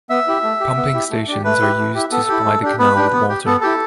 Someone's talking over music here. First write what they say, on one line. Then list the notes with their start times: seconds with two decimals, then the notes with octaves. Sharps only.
Pumping stations are used to supply the canal with water.
0.10 B3 E5
0.27 E4 G4
0.43 A3
0.60 G4
0.77 B3
0.94 E4 G4
1.11 A3
1.28 D4 G4
1.44 A3 B4
1.61 E4 G4
1.78 A3
1.94 E4 G4
2.12 B3 A4
2.29 E4 G4
2.45 A3
2.62 D4 G4
2.79 B3 B4
2.96 D4 G4
3.13 B3
3.29 G4
3.46 B3 A4
3.61 E4 G4 A4